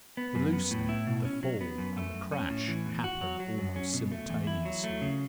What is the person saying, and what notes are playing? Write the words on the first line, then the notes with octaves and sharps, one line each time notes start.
The loosening, the fall, and the crash happen almost simultaneously.
B3
F#2
B3
A2
E4
B2
C#4
F#3
B3
F#2
A3
F#2
C#4
A2
E3
E2
F#4
F#3
F#3
F#2
C#4
B2
A3
E2
E4
F#3
A3
C#3